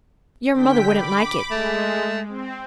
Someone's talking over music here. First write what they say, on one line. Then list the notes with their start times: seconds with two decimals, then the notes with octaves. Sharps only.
"Your mother wouldn't like it."
0.53 D3 G5 B6
0.86 B5 D6
1.51 G#3 A3
2.28 C4